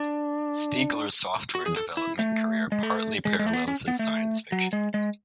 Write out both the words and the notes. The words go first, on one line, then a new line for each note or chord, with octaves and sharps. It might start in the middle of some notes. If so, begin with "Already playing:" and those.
Stiegler's software development career partly parallels his science fiction.
Already playing: D4
F#4
G#4
A4
E4
A3
G#3
A3
G#3
G#3
A3
B3
C#4
B3
A3
F#3
G#3
G#3